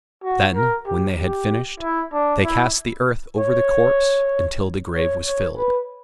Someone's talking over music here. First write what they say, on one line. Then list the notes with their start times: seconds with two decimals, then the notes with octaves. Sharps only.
Then, when they had finished, they cast the earth over the corpse, until the grave was filled.
0.24 F#4
0.55 A#4
0.86 G4
1.18 G4
1.80 E4
2.13 D4
2.44 E4
3.38 C#5
4.95 C#5
5.26 C#5
5.57 B4